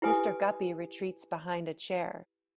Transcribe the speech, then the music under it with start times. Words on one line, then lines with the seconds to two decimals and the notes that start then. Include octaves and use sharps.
Mr. Guppy retreats behind a chair.
0.02 E4 G4 B4 G#5 D#6